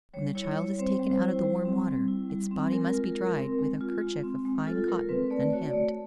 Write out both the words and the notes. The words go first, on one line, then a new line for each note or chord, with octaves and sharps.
When the child is taken out of the warm water, its body must be dried with a kerchief of fine cotton, unhemmed.
G3 C#5
E4 C#5
G3 C#5
C4 C5
G3
C5
E4
G3
C4
G3
E4
G3
C4
G#3 A#4
F4
A#4
G#3
C4
G#3
F4
G#3
C4
G#3
F4 A4
G#3 A#4
C4 B4
A3 D5
F#4 C#5
D5
A3